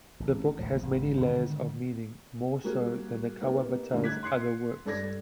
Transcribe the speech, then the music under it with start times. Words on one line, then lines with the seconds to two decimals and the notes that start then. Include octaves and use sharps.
The book has many layers of meaning, more so than Kawabata's other works.
0.20 A1
0.59 G#1 D2 A2 F3
0.83 G#1
1.18 G#2 B2 D3 D#3
2.64 G3 A#3 F#4 G#4 A#4
3.41 A#3 B3 D#4 G4
3.91 D3 G3 A3 D#4
4.04 F#6 G#6 B6
4.23 C6 F#6 C7 C#7
4.85 G2 A4 D5 G#6 A#6